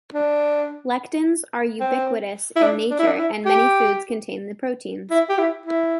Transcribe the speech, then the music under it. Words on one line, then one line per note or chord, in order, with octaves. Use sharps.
Lectins are ubiquitous in nature and many foods contain the proteins.
D4
C4
E4
D4
D4
E4
D4
E4
G4
E4
G4
E4
E4